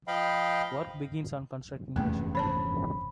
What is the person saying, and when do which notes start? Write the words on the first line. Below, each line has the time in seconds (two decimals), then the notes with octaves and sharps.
Work begins on constructing the ship.
0.08 F3 D#5 F5 G5 B5
1.96 F1 E2 G2 C#3 A3 A#3
2.35 C5 C#5 A5 B5